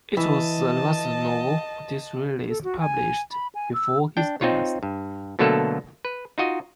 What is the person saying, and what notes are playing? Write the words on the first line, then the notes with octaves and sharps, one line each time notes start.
It was the last novel Disraeli published before his death.
E3 D#5 A5
A4
F#4
G#5
B5
G#5
E6
D4 G5
C4 D#4 F4 C#5
G2
B2 D3 F#3 A3 A#3 A4
B4
D#4 F4 F#4 D#5